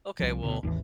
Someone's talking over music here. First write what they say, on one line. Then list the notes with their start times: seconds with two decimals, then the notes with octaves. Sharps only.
Okay, well,
0.19 C2 F3
0.43 D2 B2
0.63 G#1 D#2 C3 E3